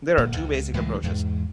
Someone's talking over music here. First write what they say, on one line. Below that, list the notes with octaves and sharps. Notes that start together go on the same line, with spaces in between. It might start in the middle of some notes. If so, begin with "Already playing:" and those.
There are two basic approaches.
D1 A#2
C#2
C#2 A2 E3 G#3
E2 G#2